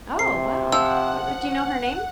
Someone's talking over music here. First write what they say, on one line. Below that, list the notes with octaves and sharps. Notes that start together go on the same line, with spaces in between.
Oh, wow. Her do you know her name?
C3 C7
F3 F#5 E6